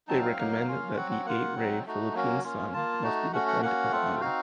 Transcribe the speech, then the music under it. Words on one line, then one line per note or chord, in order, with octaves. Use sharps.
They recommended that the eight-ray Philippine sun must be the point of honor.
F#3 C4 D#4 A5
F5
F#3 A#3 D#4
A#3 C#4 F4
F#3 C4 F#4 F#5
F#5
A#3 F4 F#5
F#3 C4 D#4
A3 D#4 F#4
F#3 A#3 C#4 F#4
A#3 C#4 F4
A#3 F4 A5
A3 D#4 F#4
A3 C#4 F#4 F#5
F#5
A#3 C#4 F#4 F#5
A3 C4 F4
C4 D#4 F#4 F5